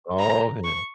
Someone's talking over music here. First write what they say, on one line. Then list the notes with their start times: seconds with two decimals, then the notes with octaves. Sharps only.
Oh, man.
0.19 A#5
0.65 C#6